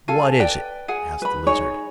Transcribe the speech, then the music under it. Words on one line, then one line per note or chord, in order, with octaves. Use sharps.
"What is it?" asked the Lizard.
A4 F5 G#5
B4 D5 G5
G#4 F#5 G#5
B4 B5
D#4 G#4 C#5